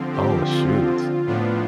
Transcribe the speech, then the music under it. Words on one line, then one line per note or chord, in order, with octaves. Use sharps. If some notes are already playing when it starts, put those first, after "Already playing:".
Oh, shoot
Already playing: D3 F3 C4
G4
F4
A2 F3 B3 D4